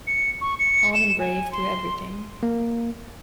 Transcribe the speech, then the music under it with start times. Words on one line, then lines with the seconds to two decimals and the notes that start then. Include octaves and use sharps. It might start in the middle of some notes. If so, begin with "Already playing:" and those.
Calm and brave through everything.
0.07 C#7
0.41 C#6
0.59 C#7
0.94 E7
1.20 G#5
1.52 C6
2.43 A#3